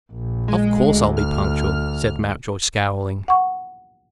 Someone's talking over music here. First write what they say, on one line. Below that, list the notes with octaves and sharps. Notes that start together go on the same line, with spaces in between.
"Of course I'll be punctual," said Mountjoy, scowling.
A#1
G#3
D2
F6
F#5 C#6